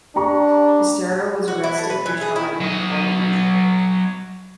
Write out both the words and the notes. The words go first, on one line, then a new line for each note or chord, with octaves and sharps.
Besteiro was arrested and tried in a court martial.
D4 G4 A#5 C#6
F#4
E4
A3
B4
E3
G#4
E4
F#3 D#5